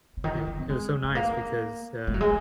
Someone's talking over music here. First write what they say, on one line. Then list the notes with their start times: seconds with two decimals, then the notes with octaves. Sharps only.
you know, it was so nice because, uh,
0.17 C#3
0.24 D#3
0.35 D#3
0.47 F3
0.58 C4
0.69 G#3
1.03 G#3
1.15 A#3
2.07 G#3
2.14 F#3
2.21 G#3